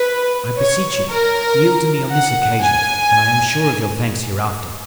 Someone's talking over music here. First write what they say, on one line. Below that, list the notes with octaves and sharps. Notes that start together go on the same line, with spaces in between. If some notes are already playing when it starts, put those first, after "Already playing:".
"I beseech you, yield to me on this occasion, and I am sure of your thanks hereafter."
Already playing: B4
C#5
A#4
F#5
G#5